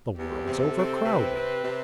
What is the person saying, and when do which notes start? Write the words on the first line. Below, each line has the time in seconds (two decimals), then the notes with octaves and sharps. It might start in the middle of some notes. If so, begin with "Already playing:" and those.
The world's overcrowded.
0.17 E2 G4
0.46 C3
0.62 A4
0.76 C4
1.05 C3 B4
1.35 C4
1.64 C3